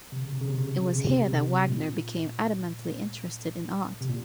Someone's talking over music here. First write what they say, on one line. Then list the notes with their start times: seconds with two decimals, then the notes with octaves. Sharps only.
It was here that Wagner became adamantly interested in art.
0.12 C3
0.22 C#3
0.32 C3
0.41 C#3
0.50 C3
0.60 C#3
0.69 C3
0.79 C#3
0.89 C3
0.98 C#3
1.08 C3
1.17 C#3
1.27 C3
1.68 A#2
4.01 C3
4.09 A#2